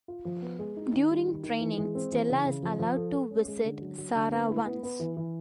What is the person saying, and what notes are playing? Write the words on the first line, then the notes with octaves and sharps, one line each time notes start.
During training Stella is allowed to visit Sarah once.
F4
F3
B3
G#3
D#4
D#3
G3
D#3
D#3
E3
G#3
C4
E3
C#3
C#3
F3
F3
A4
A4
C#4
G#3
D3
F#3
F#3
D3
B3
E4
B3
B3
E3
E3